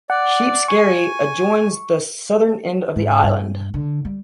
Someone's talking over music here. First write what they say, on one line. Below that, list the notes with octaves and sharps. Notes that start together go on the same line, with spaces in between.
Sheep Skerry adjoins the southern end of the island.
D5 F#5
G#5 C#6
G#2
G2
D3
G3